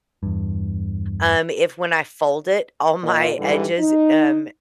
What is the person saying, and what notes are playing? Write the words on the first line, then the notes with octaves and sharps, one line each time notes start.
Um, if when I fold it, all my edges, um,
E2 G2
A#2 D#5
G#2 D3 E3 G3
D#4